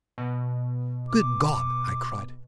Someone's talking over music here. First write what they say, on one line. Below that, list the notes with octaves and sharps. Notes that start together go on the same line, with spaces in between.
"Good God!" I cried.
B2
D6